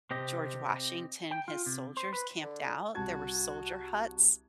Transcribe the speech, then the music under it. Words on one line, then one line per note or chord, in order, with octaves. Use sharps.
George Washington his soldiers camped out, there were soldier huts
C3 C4 G4 D#5
G5
F4
C3
C5
B4
D3
C2 F#4 A5 G#6